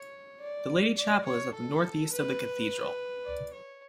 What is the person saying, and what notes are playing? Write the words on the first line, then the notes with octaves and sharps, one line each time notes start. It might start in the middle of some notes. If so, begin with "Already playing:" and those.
The Lady Chapel is at the northeast of the cathedral.
Already playing: C#5
D5
D5
C#5
A4
B4
D5
C#5